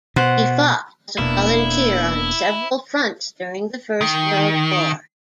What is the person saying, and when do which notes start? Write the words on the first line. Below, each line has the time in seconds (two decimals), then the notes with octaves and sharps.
He fought as a volunteer on several fronts during the First World War.
0.16 B2 C5 F#5
1.18 E1 A#3 B3 D4 E4
4.01 D#3